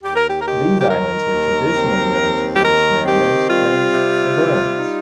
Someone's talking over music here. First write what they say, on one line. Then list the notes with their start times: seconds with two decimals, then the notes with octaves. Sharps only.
These islands were traditionally known to British mariners as "the Burlings".
0.03 D#2 G4
0.15 A#4
0.28 G4
0.40 A#4
0.46 D#3 G4
0.80 G4
0.89 D#3 A#4
1.33 D#2
1.76 C4
2.19 D#2
2.55 G4
2.63 D#3 A#4
3.05 C4 G4
3.49 G3 F4
3.92 C3
4.36 G3
4.79 D#4